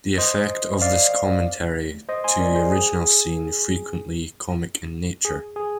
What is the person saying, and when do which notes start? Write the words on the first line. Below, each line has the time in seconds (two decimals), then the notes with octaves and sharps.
The effect is of commentary to the original scene, frequently comic in nature.
0.18 C5 D#5
0.82 D5 F5
2.09 C5 D#5
2.24 G#5 C6
2.39 A#4 D5
2.55 G#4 C5
2.71 G#4
5.25 G#4
5.56 G#4